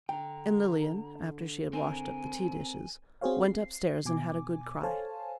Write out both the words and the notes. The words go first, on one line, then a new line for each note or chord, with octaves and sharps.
And Lilian, after she had washed up the tea dishes, went upstairs and had a good cry.
D3 G5 A#5
C4 A#4 G#5
C4 F#4 G#4 C5 C#5 F5
C7
B2 G#5 D6
A4 C5 C#5 F5 G#5 A5